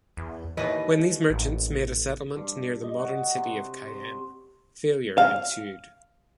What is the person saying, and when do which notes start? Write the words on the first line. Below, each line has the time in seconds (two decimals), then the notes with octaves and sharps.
When these merchants made a settlement near the modern city of Cayenne, failure ensued.
0.17 E2
0.57 D#2 E3 B4 D#5
1.30 A1
2.36 G2
2.83 D#5
2.99 F#4
3.36 C3
3.87 C5
5.18 F5